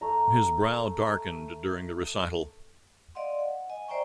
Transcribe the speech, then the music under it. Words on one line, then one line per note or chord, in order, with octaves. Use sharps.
His brow darkened during the recital.
A3 A#5
D5 D#5 F5 F#5 C6
F#5
D#5 G#5
C5 D5 E5 G5 A#5 C#6